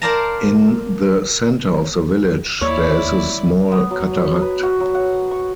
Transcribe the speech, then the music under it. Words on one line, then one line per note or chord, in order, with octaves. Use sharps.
In the center of the village there is a small cataract.
A#4 C5 D5 F5 A5 A#5
D#2 A#3 E4 C#5 D5
B3
F#3
B5
B4
F#4
F#3
F#5
C#6